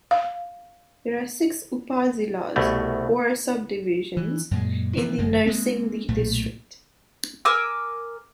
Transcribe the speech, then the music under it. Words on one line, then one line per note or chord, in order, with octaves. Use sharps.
There are six upazilas, or subdivisions, in the Narsingdi district.
F5
C2 B2 A3
E3
F#2 A#2 G#3
C3 E3 F3
G1 F#2 G#3
G#3 A#3 C4
B1 A#2 A3
A#4 G#5 D6 E6